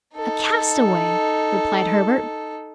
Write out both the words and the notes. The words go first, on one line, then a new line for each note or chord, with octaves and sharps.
"A castaway!" replied Herbert.
D#4 A4